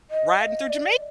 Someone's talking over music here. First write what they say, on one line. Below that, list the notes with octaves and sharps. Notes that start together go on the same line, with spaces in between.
riding through Jamai
D#5
F5
D#5
D5